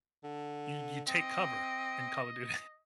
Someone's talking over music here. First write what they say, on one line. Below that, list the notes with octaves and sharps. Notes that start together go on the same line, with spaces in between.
You you take cover in Call of Duty.
D3
C4 D#5